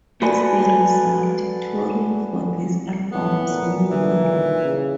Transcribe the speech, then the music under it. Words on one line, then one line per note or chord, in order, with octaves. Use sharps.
As a result, touring for this album was minimal.
F#4 A4 B4 D5 G#5
A2 B3
A#2
D3 E3
D#3
C#3